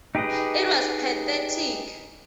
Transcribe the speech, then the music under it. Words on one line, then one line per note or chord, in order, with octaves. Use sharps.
It was pathetic.
D#4 G4 G#4 B4 D#5